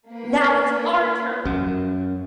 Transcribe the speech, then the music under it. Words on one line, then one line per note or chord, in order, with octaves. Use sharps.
Now it's our turn!...
A#3 B4
F#2